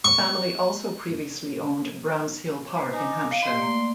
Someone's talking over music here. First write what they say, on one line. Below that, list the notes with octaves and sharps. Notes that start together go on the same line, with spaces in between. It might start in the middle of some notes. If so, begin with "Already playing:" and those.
The family also previously owned Bramshill Park in Hampshire.
C#6
B4 C5
D#4 G#5 D6
F5
G4 D#5 C6
A3 A#3 D5